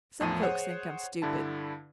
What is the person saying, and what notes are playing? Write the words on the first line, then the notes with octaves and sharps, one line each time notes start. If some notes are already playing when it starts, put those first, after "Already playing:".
Some folks think I'm stupid.
E2 A2 F3 A5 D#7
G#4 C5 C#5 F#5
G2 D3 E4 A5